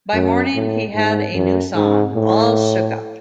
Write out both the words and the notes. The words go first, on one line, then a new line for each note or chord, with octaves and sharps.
By morning, he had a new song, 'All Shook Up'.
F#2
A2
G#2
F#2
G#2
A2